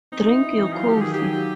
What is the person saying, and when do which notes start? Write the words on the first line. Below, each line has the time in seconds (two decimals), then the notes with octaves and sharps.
Drink your coffee.
0.12 C4 D#4
0.27 E4
0.42 C4
0.57 E3
0.72 F#3 F4
0.88 D#3 G4
1.01 D#3 G#4
1.14 F#3 G4
1.33 F4